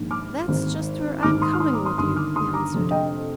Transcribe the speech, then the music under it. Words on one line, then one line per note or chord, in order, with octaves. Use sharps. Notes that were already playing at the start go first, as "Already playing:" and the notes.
"That's just where I'm coming with you," he answered.
Already playing: A#1 G#2 D#3
D6 F6
G#1 G#2 D#3
G#1 G#2 D#3 D6 F6
C6 D#6
F6
C6 D#6
A#5 D6
C6 D#6
G1 G2 D#3 C6 D#6
D6 F6
C6 D#6
A#5 D6
F1 F2 D3
D#5 G5